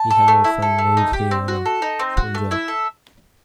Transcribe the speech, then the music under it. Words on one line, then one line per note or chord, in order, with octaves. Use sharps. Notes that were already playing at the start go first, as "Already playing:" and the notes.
He hails from Ludhiana, Punjab.
Already playing: A5
A4
A3
E4
A4
A3
D#4
G4
C4
F#4
A4
D#4
C4
F#4
A3
E4 E5
A4